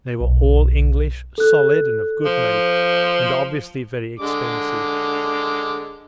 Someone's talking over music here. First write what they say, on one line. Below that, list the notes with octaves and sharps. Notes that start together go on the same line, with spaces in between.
They were all English, solid, and of good make, and obviously very expensive.
B1
A4 F#6
F3
D3 G#3 D6